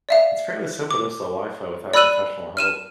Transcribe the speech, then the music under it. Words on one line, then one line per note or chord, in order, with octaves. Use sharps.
It's fairly simple to install wi-fi without professional help.
D5 E5 F5
D6
D5 B5 E6 F#6 D#7 F#7
F6 D#7 E7